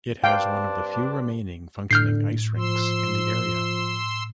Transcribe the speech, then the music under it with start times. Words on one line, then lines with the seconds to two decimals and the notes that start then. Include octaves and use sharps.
It has one of the few remaining functioning ice-rinks in the area.
0.24 G2 C4 D4 F5 G5
1.91 A2 D3 F6 G6 C7
2.57 F3 C6 E6